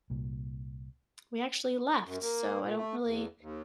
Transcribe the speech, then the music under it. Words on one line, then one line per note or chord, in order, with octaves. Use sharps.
we actually left, so I don't really
C2 A#2
F#2
A#3
A#2
A3
E2
D#2